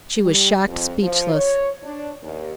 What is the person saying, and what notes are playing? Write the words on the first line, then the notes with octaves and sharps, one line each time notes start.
She was shocked speechless.
G3
F2
F3
C#5
D4
D#2